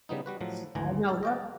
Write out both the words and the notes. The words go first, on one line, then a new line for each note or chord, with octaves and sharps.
Yes. I know lotta
C#3 G3 B3 D#4
G3 F#4 B4
A2 F3 F#3
G#1 D2 E3 G#5 A#5
A4
D#5 G5 A5